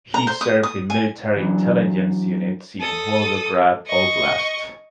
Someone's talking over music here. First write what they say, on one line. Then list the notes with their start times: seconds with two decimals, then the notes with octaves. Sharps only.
He served in military intelligence units in Volgograd Oblast.
0.14 A#5
0.27 C5
0.41 D#6
0.63 D#6
0.90 G#5
1.37 E3 F#3 D4
2.80 A4 D#6
3.86 D#5 C#6